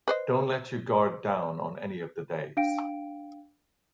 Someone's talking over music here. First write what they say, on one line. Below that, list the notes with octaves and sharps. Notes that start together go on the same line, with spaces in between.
Don’t let your guard down on any of the days.
B4 C5 D#5
D4 F5 G5 D7